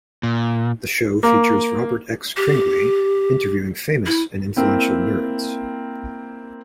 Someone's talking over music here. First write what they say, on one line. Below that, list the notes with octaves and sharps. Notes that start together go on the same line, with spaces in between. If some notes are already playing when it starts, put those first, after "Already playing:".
The show features Robert X. Cringely interviewing famous and influential nerds.
A#2
A#3
G4
E4
A#3 C4 E4